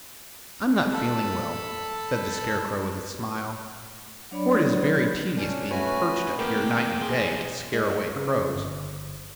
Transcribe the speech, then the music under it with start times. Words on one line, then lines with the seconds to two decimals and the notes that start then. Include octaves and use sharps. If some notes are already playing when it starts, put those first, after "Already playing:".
"I'm not feeling well," said the Scarecrow, with a smile, "for it is very tedious being perched up here night and day to scare away crows."
0.93 A4 A5 B5
4.31 F#3 D4 C#5 D5 B5
5.37 B2 C#4 D4
5.71 A3 C#4 F#4 B4 G#5
6.39 A2 C3 A#3 G5 D6
7.01 E2 G#4 C6
7.73 G#3
8.16 C#3
8.55 G1